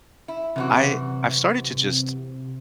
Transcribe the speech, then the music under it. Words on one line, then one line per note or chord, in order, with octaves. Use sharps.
I I've started to just
E4
F#2 C3 E3 F#4